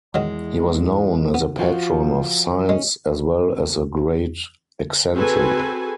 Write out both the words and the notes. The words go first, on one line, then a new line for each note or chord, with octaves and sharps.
He was known as a patron of science as well as a great eccentric.
E2 D#3 F#3 G#3
B3
F3 F4 F#4
G#3 C#4
C4 F#4 G#4 A4 B4 G#5